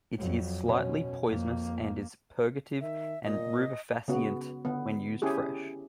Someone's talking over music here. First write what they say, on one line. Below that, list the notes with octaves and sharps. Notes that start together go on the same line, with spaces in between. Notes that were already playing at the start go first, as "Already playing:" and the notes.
It is slightly poisonous and is purgative and rubefacient when used fresh.
F2 F#3
B2 C#4
F2 A#3
D#3 E5
A#2 D#5
C#3 B3 F#4
D3 B3
C#4 E4 G4 G#4